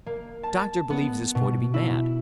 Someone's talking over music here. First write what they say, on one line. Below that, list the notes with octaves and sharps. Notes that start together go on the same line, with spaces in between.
A doctor believes this boy to be mad.
A#3
A5
B3
B2
E4